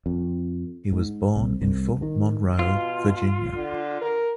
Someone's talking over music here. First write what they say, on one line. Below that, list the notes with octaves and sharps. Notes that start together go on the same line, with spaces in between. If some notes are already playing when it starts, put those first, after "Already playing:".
He was born in Fort Monroe, Virginia.
F2
G#2
C2
C2
D#3
B2 F4
D3
A#4